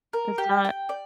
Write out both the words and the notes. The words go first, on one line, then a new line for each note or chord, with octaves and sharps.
It's not
A#4
G4
G5
D5